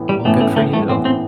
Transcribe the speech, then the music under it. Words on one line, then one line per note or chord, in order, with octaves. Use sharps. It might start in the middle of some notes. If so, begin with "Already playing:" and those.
Well, good for you.
Already playing: A2 E3 B3
G3
A2 E3 A3 B3
A3
A3
A3
A2 E3 B3 C4
C4